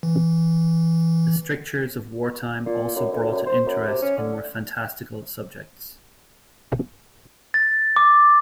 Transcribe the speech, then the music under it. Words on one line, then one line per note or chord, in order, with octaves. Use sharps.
The strictures of wartime also brought an interest in more fantastical subjects.
E3
A#2
F#2
D2
F#2
C5
F#2
C3
C#4
D3
A6
D6